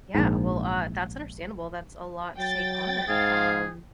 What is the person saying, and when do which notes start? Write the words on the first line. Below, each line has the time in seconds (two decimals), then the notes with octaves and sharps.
Yeah, well, uh, that's understandable, that's a lot to take on, um
0.15 A#1 G#2
2.38 F#3 G5 A6
3.09 G#2 G#4 F5